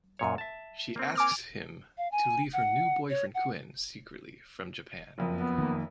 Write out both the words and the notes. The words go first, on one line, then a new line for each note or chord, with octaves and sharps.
She asks him to leave her new boyfriend Kuen secretly from Japan.
F#2 A#2 C#5
E5 A5
A#3 C4
G#5 D6 F6
F5
G#5
F#5
C#5
F#5
F#1 F2
B3
D#3 A#3